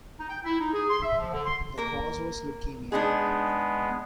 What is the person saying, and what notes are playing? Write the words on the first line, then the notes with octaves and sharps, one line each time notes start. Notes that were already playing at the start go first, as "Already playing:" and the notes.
The cause was leukemia.
D#4
G5
E4
D#4
G#4
C6
E5
F3
D3
C6
A#3 A#4
G#3 B3 D4 D#4 G#4